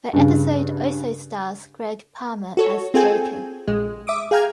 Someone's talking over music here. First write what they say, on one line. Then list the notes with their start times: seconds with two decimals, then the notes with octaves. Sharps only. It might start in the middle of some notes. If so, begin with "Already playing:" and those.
The episode also stars Gregg Palmer as Jacob.
0.13 G2 C#3
2.57 F#4 A4 C#5
2.94 C4 F4 G#4 A4 G5 G#5
3.68 A#1 G#3
4.07 E5 D6 D#6
4.31 G#4 F5 G5 A#5 F6 G#6